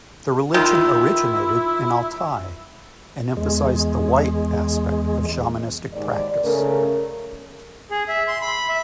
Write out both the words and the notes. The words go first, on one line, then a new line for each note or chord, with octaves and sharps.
The religion originated in Altai, and emphasized the "white" aspect of shamanistic practice.
D#3 E4 F4 C6 E6
E2 G#3
D#2 G#2 D5
C#3 A3 A#4
G#4
E5
C6
B5
E5